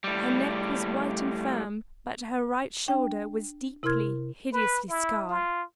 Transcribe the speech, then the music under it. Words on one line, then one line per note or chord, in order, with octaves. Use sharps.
Her neck was white and firm, but her right shoulder was deeply, hideously scarred.
A2 G3
D4 G5
C3 E4 A#4 C6 F6 G#6
B4
E4
F4